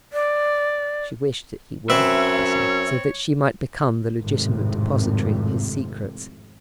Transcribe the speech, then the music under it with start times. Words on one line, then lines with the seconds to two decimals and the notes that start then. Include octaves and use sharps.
She wished that he were her cousin, so that she might become the legitimate depository of his secrets.
0.13 D5
1.90 F#2 C4 B4 C#5 E5
4.19 G#1 F2 A2 C3